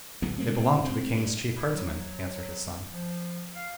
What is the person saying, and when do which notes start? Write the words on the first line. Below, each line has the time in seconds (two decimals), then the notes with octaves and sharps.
'They belong to the king's chief herdsman,' answered his son.
0.22 D1 A2 F#3 B3
0.39 C#3 G#3 A#3 C4
0.56 A#2 C4
0.84 C4
1.15 G2
1.56 E4
1.73 F#3
2.93 F3
3.54 F5